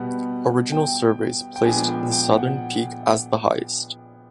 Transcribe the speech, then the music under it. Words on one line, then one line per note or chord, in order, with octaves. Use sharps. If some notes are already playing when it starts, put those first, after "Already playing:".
Original surveys placed the southern peak as the highest.
Already playing: B2 G3 B3 F#5
G5
G5
A#2 F3 G#3 B3 D4 G#5
G5
G5
F#5